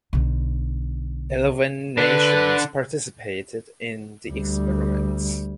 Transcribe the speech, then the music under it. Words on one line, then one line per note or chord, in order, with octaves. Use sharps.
Eleven nations participated in the experiments.
B1 D3
D3 D4 B4
D2 G3